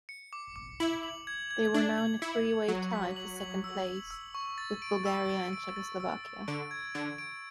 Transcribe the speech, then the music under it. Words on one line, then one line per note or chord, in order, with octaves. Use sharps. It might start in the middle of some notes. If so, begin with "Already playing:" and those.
They were now in a three-way tie for second place with Bulgaria and Czechoslovakia.
C#7
D6
D6
E4 F#7
F#7
G#6
G#6
D4 F#7
F#7
E4 C#7
G#6
F#3 C#6
B6
F#7
F#7
E6
F#7
E6
C#6
A6
D7
E6
A6
D7
A6
E6
E6
D3 D7
G#6
D3 D7
D7